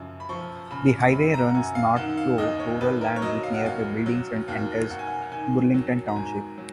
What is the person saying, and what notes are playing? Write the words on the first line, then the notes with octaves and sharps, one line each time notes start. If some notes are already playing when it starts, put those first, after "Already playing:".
The highway runs north through rural land with nearby buildings and enters Burlington Township.
Already playing: F#2 C#3 F3
B5
F3 C#6
C#3 B5
F#2 B5
A#5
F#5
F#2 G#5
F5
D#3 F#5
F5
D#2 D#5
C#5
D#2 B4
A#4
C#5
F#3 D#5
F5
F#5
D#2 F5
F#3
D#2 F5
D#2 F#5
G#5
F#5
D#3 G#5
F#3
A#5
G#2 G#5
F#3